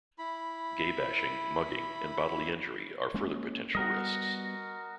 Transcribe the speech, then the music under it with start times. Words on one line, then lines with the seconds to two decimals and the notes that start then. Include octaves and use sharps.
Gay bashing, mugging, and bodily injury are further potential risks.
0.18 E4 B5
3.14 G#3 A#3 C#4
3.75 G3 B3 F#4 A#4 D#5